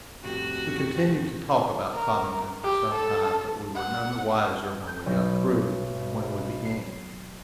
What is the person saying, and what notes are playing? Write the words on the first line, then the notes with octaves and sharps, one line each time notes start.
We continued to talk about Cobbington for some time; but we were none the wiser when we got through than when we began.
F2 A2 C3 F#4 G4
A#4
G4
A4
F#5
G6
B1
C7